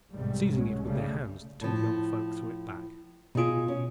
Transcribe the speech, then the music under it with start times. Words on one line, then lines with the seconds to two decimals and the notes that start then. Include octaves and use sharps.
Seizing it with their hands, the two young folk threw it back.
0.11 B1 G#2 C3 D#3 G3
0.52 C2 F#3 G#3 C#4
0.85 C#3 G3 A3
1.61 A2 F3
3.35 B2 D#4 F4 G#4
3.68 C#4